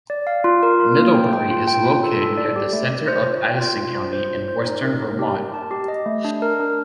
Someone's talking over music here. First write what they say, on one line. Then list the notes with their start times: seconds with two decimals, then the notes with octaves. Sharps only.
Middlebury is located near the center of Addison County in western Vermont.
0.10 D5
0.27 F5
0.44 F4
0.63 A#4
0.80 F4
0.97 A#3
1.15 G5
1.33 G5
1.51 F4
1.68 G5
1.85 F4
2.03 A4
2.21 A4
2.37 D5
2.56 G4
2.73 A3
2.90 A3
3.08 C5
3.26 F4
3.43 G5
3.61 F4
3.79 F4
3.95 C5
4.13 C5
4.30 F4
4.48 C5
4.67 D#4
4.83 A#4
5.02 A#3
5.19 G4
5.36 A#4
5.54 A5
5.71 G4
5.88 D#5
6.06 A3
6.25 D4
6.42 A#4
6.60 D4